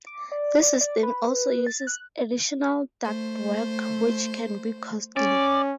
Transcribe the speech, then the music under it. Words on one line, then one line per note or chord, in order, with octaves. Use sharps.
This system also uses additional ductwork which can be costly.
D6
D5
D5
D5
B4
A6
F#6
A3 C5
C#4 D5